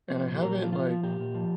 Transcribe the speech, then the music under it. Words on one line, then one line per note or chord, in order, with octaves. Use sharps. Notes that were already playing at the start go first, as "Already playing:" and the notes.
and I haven't, like,
F3 C4
A#2
G4
A#2 A#4
G4
F3 F4
F3 F4
F3
A#2 G4
A#2
F3